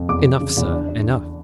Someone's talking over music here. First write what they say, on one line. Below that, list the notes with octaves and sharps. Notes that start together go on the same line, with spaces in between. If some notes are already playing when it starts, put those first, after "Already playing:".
Enough, sir, enough.
Already playing: F2
E2 D6
E2
C#3
E2
D4
D4